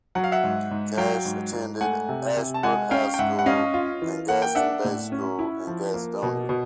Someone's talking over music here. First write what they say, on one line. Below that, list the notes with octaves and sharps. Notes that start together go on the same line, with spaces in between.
Cash attended Ashbrook High School and Gaston Day School in Gastonia.
F#3 F#5
F5
E5 F#5
G#2
G#2
F#3 F5 G5
G#2
G#2
A3 F#5 G#5
C3
C3
A5
G#3 F#5 G#5
C#4 F5 G5
G5
G#2 E5 F#5
F#5
C#4 D#5 F5
F4
E3
A#3 F#5
G5
D4 E5 F#5
A2
C#4
E4
F3
A#3
B2
B2